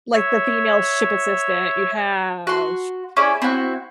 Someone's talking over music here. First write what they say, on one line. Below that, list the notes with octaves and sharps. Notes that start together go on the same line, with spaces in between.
like, the female ship assistant, you have
C#5 E5
F#4 C6
C#4 E4 G#4 D5
C4 E4 F#4